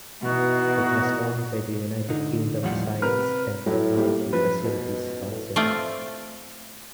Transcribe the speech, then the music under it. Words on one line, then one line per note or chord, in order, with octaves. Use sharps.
It was owned by the United Kingdom Science and Technology Facilities Council.
B2 E3 D#4 F#4
D3 D#4
D#2 A2 F3 G3 F#5
C3 A#4 B4 F6
A2 F#3 E4
G3 A#3 G4
F#2 F3 B4
B2
A2
A3 C4 F4 D5